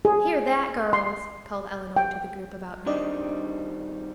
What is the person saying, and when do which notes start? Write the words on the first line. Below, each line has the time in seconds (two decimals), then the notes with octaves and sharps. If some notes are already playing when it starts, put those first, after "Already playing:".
"Hear that, girls!" called Elinor to the group about her.
0.05 G#4
0.93 C6
1.96 G5
2.86 D#3 G3 C4 D4 D5 D#5